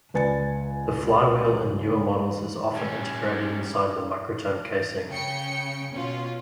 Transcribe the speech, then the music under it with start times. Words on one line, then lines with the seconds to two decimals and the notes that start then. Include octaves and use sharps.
The flywheel in newer models is often integrated inside the microtome casing.
0.14 C#2 B4 D5 G#5 A6 C#7
2.75 G3 C#4
5.07 C#3 C#5 G5 C#7
5.92 B2 C#4 F4